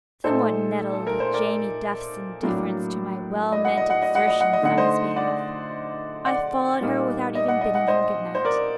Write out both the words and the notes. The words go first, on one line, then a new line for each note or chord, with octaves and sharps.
Somewhat nettled with Jamie Duff's indifference to my well-meant exertions on his behalf, I followed her without even bidding him good night.
A#2 A3 D#4 A4 C5
A4
A#4
C5
A#4 D5
A2 F#3 A#3 D4
D#5
F#5
D#5
F#5
D#5
F#5
D#5
F#5
D#5
D3 A3 D#4 F#5
C5 D#5
D5 F#5
D5 F#5
A#2 G3 A#3 D#4
D#5
F#5
D#5
F#5
C5 D#5
C5
A#4 D5